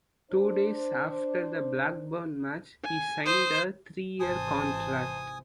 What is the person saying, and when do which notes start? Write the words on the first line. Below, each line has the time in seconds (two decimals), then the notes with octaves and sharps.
Two days after the Blackburn match, he signed a three-year contract.
0.32 D4 C5
2.84 G#5
3.26 C5 D#6
4.20 G#1 C3 E3 C5 G#5 A5 D#6